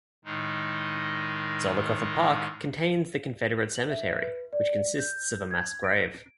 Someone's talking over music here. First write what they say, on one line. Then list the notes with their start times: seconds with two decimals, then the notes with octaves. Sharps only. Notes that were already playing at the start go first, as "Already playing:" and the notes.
Zollicoffer Park contains the Confederate Cemetery, which consists of a mass grave.
0.25 A2 D#3 G#3 D#4
3.75 F#7
3.90 E5
4.22 B4
4.53 D5
4.99 G6
5.51 G#6
5.84 D7